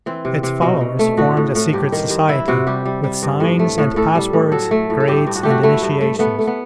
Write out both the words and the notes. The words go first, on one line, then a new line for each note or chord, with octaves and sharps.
Its followers formed a secret society, with signs and passwords, grades and initiations.
E3 C4
C3
C3
B2 D#4
B2
A3
A2 F#4
A2
A2
G2 G4
D#3
G2
E3 E4
C3 F#4
G3 G4
G3
G3
G2
A2
A3
A2
A2 A4
G3
A2
F#3 A4
A3
A2
A4
G2 G4
G2
F#4
A3 G4
F#4
A3 E4
G2
A3
A3 B3
A3
B3